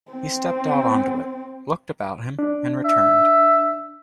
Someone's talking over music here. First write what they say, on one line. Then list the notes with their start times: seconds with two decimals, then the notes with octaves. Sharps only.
He stepped out on to it, looked about him, and returned.
0.12 C4
2.39 D4
2.85 E5